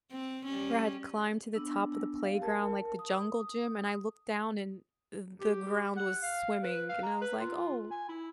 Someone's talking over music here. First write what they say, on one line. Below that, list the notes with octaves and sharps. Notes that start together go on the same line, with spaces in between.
where I had climbed to the top of the playground, like, the jungle gym, and I looked down, and, uh, the ground was swimming and I was, like, "Oh,
C4
G3 C#4
B3 D4 E6
G4 F5
A#4 A5
D#6
G4
F#5
F5
B4
F5
A#5
B4
F4
G#5
E4